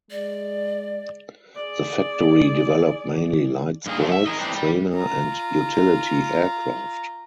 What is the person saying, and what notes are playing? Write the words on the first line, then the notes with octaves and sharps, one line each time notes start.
The factory developed mainly light sports, trainer and utility aircraft.
G#3 D5
G#4 D5
G2 D#3 A#3 G#4
F3 F#3 A3
E5
G#4 A#4 D#5
E3 G3 A3 C4 D4 D#4
G3
F4 A#5